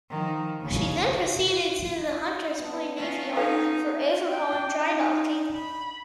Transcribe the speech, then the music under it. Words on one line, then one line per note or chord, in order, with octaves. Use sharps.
She then proceeded to the Hunters Point Navy Yard for overhaul and drydocking.
D#3 F3
D#2 C#3
B3 C4 D4
C#4 F4 F#5
D#4 A4 B4 F5
G5
D#4
B5